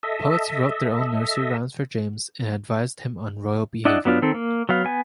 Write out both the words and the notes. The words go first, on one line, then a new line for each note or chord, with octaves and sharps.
Poets wrote their own nursery rhymes for James and advised him on royal behavior.
A4 D#5 E5
D4 E4 D5 D#5 F#5
F#3 B3 D4 F4
D#3 C4 A4
A#3
F#3 B3 F5
B3 G#5